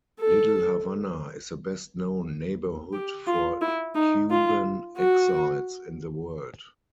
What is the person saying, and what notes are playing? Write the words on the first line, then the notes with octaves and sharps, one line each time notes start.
Little Havana is the best known neighborhood for Cuban exiles in the world.
A4
G4
F4
E4
D#4
F4
F#4